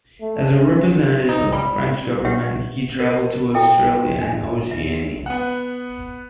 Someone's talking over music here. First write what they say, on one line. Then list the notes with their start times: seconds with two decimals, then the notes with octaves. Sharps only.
As a representative of the French government, he travelled to Australia and Oceania.
0.21 A3
0.57 C#4
1.29 D#4
1.52 G3
2.25 G4 B4 C#5 E5 F#5
3.00 A#4
3.55 E4 A4 E5 G5
4.22 D4
4.71 E5
5.26 B3 F#5